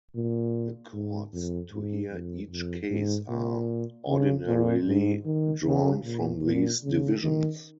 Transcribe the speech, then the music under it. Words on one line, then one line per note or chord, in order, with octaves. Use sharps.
The courts to hear each case are, ordinarily, drawn from these divisions.
A#2
G#2
F2
G#2
F2
F2
G#2
A#2
C#3
A#2
G#2
D#3
C#3
A#2
A#2
C#3
D#3